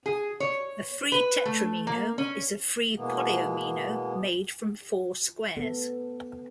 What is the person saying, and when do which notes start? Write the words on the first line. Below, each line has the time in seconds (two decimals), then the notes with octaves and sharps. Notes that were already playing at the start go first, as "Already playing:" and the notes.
A free tetromino is a free polyomino made from four squares.
0.06 G#4
0.40 C#5
1.12 B4
1.46 A3
1.87 A#3
2.18 C#4
2.96 B2 E3 G#3 A#3 B3
5.57 B3 A4